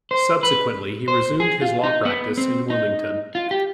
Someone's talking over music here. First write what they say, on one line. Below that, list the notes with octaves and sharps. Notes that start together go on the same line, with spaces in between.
Subsequently, he resumed his law practice in Wilmington.
C5
B4
C5
G#4
F4
D#4
B3
C4
D#4
F4
G4